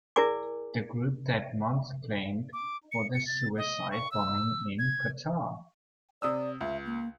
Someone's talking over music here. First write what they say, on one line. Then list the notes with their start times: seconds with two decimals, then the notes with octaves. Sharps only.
The group that month claimed for the suicide bombing in Qatar.
0.16 E4 G#4 A#4 D5 G#5 D6
2.53 D6
2.92 C#7
3.14 C#7
3.27 A6
3.58 D#5
3.91 C#6
4.12 E6
4.79 G#6
6.22 C3 D5 D#6 E6
6.61 C#2 E5
6.86 A#3